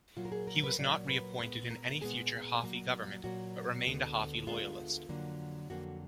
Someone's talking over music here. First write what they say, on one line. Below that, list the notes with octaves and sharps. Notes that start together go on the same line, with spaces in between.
He was not re-appointed in any future Haughey government but remained a Haughey loyalist.
A#2 F#3 A#3 F4
A#4
G#4
A#4
B4
A#2 F#3 A#3 D5
B4
A#2 G#3 B3 B4
A#4
A#2 G#3 B3 G#4
A#2 F#3 A#3
A#2 F#3 A#3 F#4
D2 D3 G#3 B3
D2 D3 G#3 B3 F4
F2 D3 F#3 A#3
F2 D3 F#3 A#3 F#4